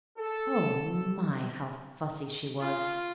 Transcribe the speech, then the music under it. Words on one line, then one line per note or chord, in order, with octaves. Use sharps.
Oh my, how fussy she was!
A4
F4